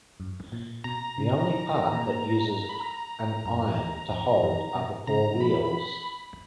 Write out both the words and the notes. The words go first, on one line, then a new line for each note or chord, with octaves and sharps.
The only part that uses an iron to hold are the four wheels.
F#2
A#2
B2 A#5
C#3
D#3
D#3
A#2
B5
A#5
F#2 A#5
F2 A#5
F#2
B2
C#3 A#5
F#3
F3 B5